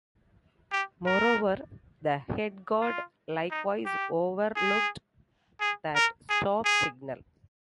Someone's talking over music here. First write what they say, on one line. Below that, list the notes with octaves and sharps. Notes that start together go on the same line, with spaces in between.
Moreover, the head guard likewise overlooked that "stop" signal.
G4
A#4
F4
D#4
G4
G#4
G#4
A#4
G#4
G#4